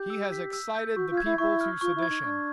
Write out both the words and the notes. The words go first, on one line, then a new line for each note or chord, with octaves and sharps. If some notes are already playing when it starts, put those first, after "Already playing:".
He has excited the people to sedition.
Already playing: G4 G6
E6
B6
E6
G6
F#4 C#6
F4
G#6
E4
E4 C#6
F6
F4 C#6
E4
G#6
D#4
D4 C#6